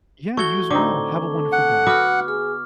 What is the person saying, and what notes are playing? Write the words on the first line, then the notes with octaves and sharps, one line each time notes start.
Yeah, you as well. Have a wonderful day.
A3 F#4 C#6 G#6 G7
A2 D3 C4 D#4 D6
A4
F#5
B3 F#4 E5 D6 F6
G#4 F6